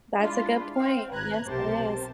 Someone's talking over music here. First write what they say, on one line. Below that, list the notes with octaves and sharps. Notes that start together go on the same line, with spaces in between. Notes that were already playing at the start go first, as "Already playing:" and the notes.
That's a good point. Yes, it is.
G#3 D4 E4 F4
C4 F5
G#1 B4 A#5 F#6 G#6
B1 C3 G4 A#4 C5 A5